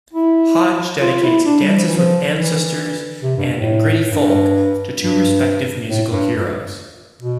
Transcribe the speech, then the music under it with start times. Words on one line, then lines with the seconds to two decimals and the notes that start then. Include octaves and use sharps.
Hodge dedicates "Dances with Ancestors" and "Gritty Folk" to two respective musical heroes.
0.13 E4
1.01 F4
1.23 E4
1.46 D4
1.61 G3
1.76 F3
1.87 E3
1.98 F3
2.35 E3
3.23 C3
3.37 G2
3.53 A2
4.11 G2
5.00 G2
5.88 A2
6.11 G2
7.21 B2